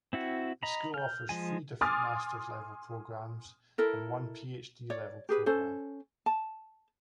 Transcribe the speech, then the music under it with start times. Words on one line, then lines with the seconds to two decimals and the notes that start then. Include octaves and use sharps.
The school offers three different Masters level programs, and one PhD level program.
0.13 C4 E4 F#4
0.63 D#5 A#5 B5
0.94 F6 G6
1.29 F3 G#3 G#5
1.81 G#5 C6 D6 D#6 F6 A6
3.78 E4 A4 A#4
4.90 C#5 D5
5.29 G4 G#4 B4
5.46 C#4 A4 C5
6.26 A5